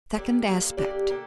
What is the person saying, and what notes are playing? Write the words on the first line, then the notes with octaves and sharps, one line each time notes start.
Second Aspect.
D3 A#3 G4 D5
D3 A#3 G4 D5
D3 A#3 G4 D5
D3 A#3 G4